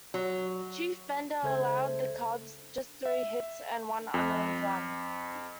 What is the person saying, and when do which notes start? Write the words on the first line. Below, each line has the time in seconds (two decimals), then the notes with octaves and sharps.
Chief Bender allowed the Cubs just three hits and one unearned run.
0.14 F#3
1.42 C#2 C#3 A4 C5 E5 G#6
3.06 E5
4.14 F2